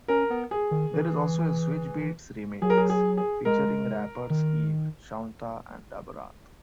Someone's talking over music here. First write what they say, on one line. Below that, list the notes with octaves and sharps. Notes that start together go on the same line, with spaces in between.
There is also a Swizz Beats remix featuring rappers Eve, Shaunta and Da Brat.
C#4 A#4
B3
G#4
D#3
E3
F#3 G#4
A#4
G#4
G#4
G#4
G#3 A#4
D#3